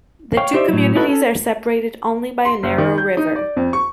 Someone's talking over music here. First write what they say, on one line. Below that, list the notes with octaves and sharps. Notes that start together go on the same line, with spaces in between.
The two communities are separated only by a narrow river.
C#5 F5 G5
D#4 G4 C5 D5 E5
A2 F#3
D#4 E4 F#4 A4 B4
C#4 A4
C6
F#1
D#3
G6
D#4
D5
F2
C#6